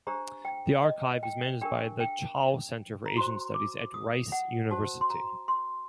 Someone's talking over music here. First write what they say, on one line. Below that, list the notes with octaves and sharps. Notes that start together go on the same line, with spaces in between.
The Archive is managed by the Chao Center for Asian Studies at Rice University.
D4 G4 C5 A#5
G5
D#5
G5
D4 G4 A#4 G5
G5
A#5
F#4 C5 C6
D6
D#6
F#5
F#4 C5 A5
C6
A#5
C6